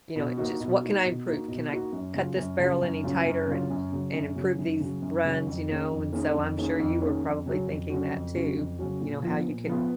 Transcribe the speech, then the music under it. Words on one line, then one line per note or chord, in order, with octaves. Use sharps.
you know, just "What can I improve? Can I cut this barrel any tighter and and improve these runs." You know? And so, I'm sure you were probably thinking that too, you know, how you can,
B2
A#3 D#4 F#4
B2
A#3 D#4 F#4
B2
A#3 D#4 F#4
B2
A#3 D#4 F#4
F#2
C#3 F#3 C#4 F4
F#2
C#3 F#3 C#4 F4
F#2
C#3 F#3 C#4 F4
F#2
C#3 F#3 C#4 F4
F#2
C#3 F#3
F#2
C#3 F#3
F#2
C#3 F#3
F#2
C#3 F#3
F2
D#3 A#3 C#4 G#4
F2
D#3 A#3 C#4 G#4
F2
D#3 A#3 C#4 G#4
F2
D#3 A#3 C#4 G#4
F2
C#3 F#3 C#4 F#4
F2
C#3 F#3 C#4 F#4
F2
C#3 F#3 C#4 F#4
F2
C#3 F#3 C#4 F#4
A#2
F3 B3 F4
A#2
F3 B3 F4